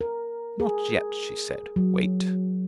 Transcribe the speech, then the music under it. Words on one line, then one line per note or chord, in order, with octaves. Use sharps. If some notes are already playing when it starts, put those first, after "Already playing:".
"Not yet," she said; "wait."
A#4
G#4
F#3